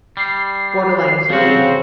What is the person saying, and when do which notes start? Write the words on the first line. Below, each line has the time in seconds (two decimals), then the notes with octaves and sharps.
borderline clingy?
0.17 G3 C7
1.30 C#3 F3 C4 F#4